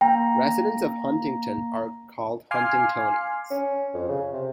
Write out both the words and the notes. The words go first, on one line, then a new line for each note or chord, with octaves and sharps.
Residents of Huntington are called Huntingtonians.
A#3 G5 A#5 A#6
F5 G#5 C6 D6 F6 C7
C#4
F2
C#3
C3